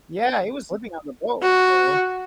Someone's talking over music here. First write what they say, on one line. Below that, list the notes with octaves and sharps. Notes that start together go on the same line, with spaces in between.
Yeah, he was living on the boat, so.
F#4